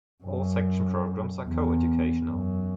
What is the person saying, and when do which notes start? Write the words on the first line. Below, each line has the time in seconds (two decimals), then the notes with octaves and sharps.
All section programs are coeducational.
0.24 F#2
1.47 E2
2.29 F#2